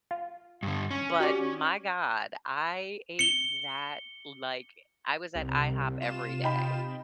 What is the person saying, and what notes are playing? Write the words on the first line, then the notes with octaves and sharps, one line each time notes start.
but my god, I ate that, like I was at IHOP every day,
F4
G2 D3
C#4
F#4 G4 D5
C#7 G7
C2 C3
F4 E7
D#4 G5 B5